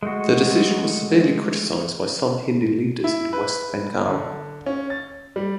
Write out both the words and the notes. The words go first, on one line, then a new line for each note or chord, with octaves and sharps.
The decision was severely criticised by some Hindu leaders in West Bengal.
G#3 A3 F#4
E4
B4
D3
C#4
A6
G3